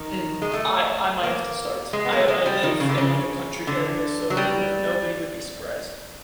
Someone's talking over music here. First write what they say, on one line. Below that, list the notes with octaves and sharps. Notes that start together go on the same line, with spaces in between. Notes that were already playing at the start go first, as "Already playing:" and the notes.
Mm. I I might have to start. I I live in, like, a country area, so, you know, nobody would be surprised.
Already playing: D#3
G#3
A3
A#3
G#3
B3
A#3
A3
G#3
G3
D#3
C#3
D3
C#3
D3
F#3
G3